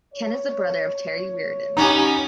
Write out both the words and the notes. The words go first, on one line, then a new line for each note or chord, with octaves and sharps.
Ken is the brother of Terry Reardon.
C#5
B3 C#4 D#4 G4